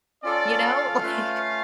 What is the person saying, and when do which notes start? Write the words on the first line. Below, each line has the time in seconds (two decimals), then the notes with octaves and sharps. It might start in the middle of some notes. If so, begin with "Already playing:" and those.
You know, like
0.23 C#4 F4 A4 D5
0.63 F5
1.03 A3 C#4 F4 B4